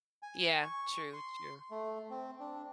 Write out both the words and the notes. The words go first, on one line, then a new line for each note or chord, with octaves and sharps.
Yeah. True, true.
G#5
C#6
C6
A3
C4
D4